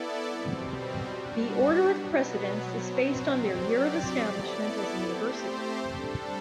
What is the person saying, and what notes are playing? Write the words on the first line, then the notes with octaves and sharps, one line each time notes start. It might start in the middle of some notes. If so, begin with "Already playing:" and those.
The order of precedence is based on their year of establishment as a university.
Already playing: B3 E4 A4 D5
B2 G3 C4
G3 D4 F#4
B2 F#3 B3
B2 F#3 C4
F#3 C4 G4 D5
B3 E4 A4 D5
A3 C4 G4 C5
G3 D4 A4